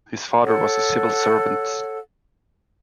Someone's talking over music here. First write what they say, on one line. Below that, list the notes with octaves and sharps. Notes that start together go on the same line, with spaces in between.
His father was a civil servant.
A4 C#5 F#5